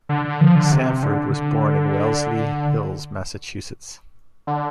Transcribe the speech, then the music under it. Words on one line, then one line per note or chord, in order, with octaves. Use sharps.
Sanford was born in Wellesley Hills, Massachusetts.
D3
D3
F3
D3
C3
D3
D3
D3